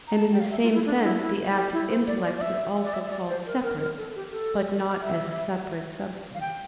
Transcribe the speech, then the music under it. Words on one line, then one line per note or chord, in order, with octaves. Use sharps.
And in the same sense the active intellect is also called "separate"; but not as a separate substance.
A#5
A5
G5
F5
E5
F4
E4
D4
E4
E4
G4
E4
C5
D5
D5
D5
E5
D5
E5
E5
D5
C5
A#4
A#4
A#4
A4
G4
A4
E5
F5
G5